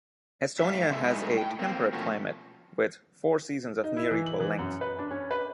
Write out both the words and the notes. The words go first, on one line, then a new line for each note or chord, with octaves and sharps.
Estonia has a temperate climate, with four seasons of near-equal length.
G#2 E5 F5
B2 D3 G#3 A3 C5 E5
G2 F#3 G#3 B3 D#4 B4
A2 G5
A#3 C4
B2 F3 A3 C#4 F#4
D#4
E4
E3
F#7
E3
F#2
B4
D4
C#4
B4